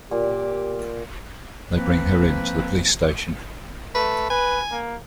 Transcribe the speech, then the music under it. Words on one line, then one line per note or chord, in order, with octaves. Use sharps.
They bring her in to the police station.
A#2 G4
F3 A#3 C4 B4
A3 B4
B4 G#5
A#3